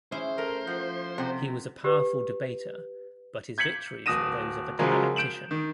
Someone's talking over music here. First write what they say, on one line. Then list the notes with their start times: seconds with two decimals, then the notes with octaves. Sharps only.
He was a powerful debater, but his victories were those of a dialectician.
0.12 C#4 E4 G#4 C5
0.38 A3 A#4
0.67 F3 F#5
1.18 C3 F#5 G5
1.84 G4 B4
3.58 G6 G#6 B6 C#7 F#7
4.06 D1 D#6 A#6 D#7 E7
4.79 C#3 F3 F#3 G#3 A#4
5.16 G6 D7 E7 F#7
5.51 D#3